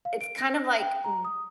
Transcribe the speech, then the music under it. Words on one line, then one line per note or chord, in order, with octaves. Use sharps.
it's kind of like, m
F5
D7
A#6
G5
A#5
D#6